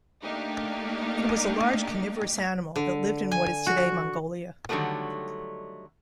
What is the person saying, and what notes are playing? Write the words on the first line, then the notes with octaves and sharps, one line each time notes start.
It was a large, carnivorous animal that lived in what is today Mongolia.
A3 A#3 D4 D#4 G4
D3
G#5
F#4
D3 D#3 F#3 G3 A3 B3